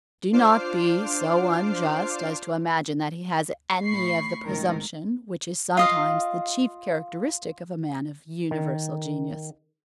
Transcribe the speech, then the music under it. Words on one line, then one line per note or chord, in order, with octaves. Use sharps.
Do not be so unjust as to imagine that he has any of the presumption which is sometimes the chief characteristic of a man of universal genius.
D4 F4 C5 D6 F6 C7
A2 B5 C#6 C7
G#1 C#2 A2 D#3 A#4
F4 D#5 F5
D#3